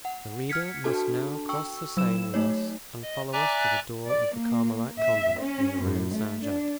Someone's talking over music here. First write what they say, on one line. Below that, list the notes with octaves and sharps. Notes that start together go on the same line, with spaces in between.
The reader must now cross the Seine with us and follow us to the door of the Carmelite Convent in the Rue Saint Jacques.
F#5
F6 G#6 B6 C#7
D4 F#4 A4 A5
G5 C#6 E6
F#3 E6 E7
A3 D#4 C#5
D#5
D5 E5 G#5 A#5 D6 F#6
D5
A#3
E5
C#4
F#2
A3
D4